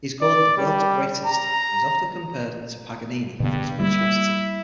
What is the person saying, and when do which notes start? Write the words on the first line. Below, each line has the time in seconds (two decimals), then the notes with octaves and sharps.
He's called 'the world's greatest' and often compared to Paganini for his virtuosity.
0.22 D5
0.57 G3
1.26 A#5
3.40 G2 B2 D3 B3
3.80 G3 A#3 E4